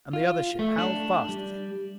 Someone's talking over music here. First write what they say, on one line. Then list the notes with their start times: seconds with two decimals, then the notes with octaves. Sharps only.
"And the other ship--how fast is it?"
0.13 F4
0.59 A3
0.78 D4
1.29 G3